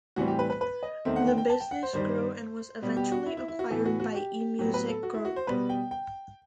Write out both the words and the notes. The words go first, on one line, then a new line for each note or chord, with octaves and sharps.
The business grew and was eventually acquired by eMusic Group.
A2 E3 G3 C4 F#4
G4
B4
B4
B4
D#5
E2 D#3 A3 C4 E5
F#5
G5
G5
A5
G5
F#5
C5
G2 D#3 G3 C5
B2 G3 B3
G4
F#4
E4
E4
E4
F#4
A2 E3 B3 A4
F#4
F#4
G4
A2 F#3 B3 G4
B4
A4
F#4
E4
F#4
C5
B2 G3 B3 B4
G5
G5